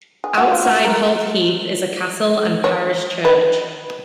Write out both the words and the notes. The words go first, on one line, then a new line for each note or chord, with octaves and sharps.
Outside Holt Heath is a castle and parish church.
G#4
F#4
F4
F#4
A#4
C#5
B4